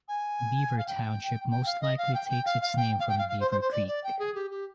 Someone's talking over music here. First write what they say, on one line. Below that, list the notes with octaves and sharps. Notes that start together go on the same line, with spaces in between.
Beaver Township most likely takes its name from Beaver Creek.
G#5
F5
G5
G5
F5
D#5
F5
G5
G5
F5
F5
G5
F5
G5
F5
F5
C5
C5
C5
D5
D5
G5
G#4
G4
G4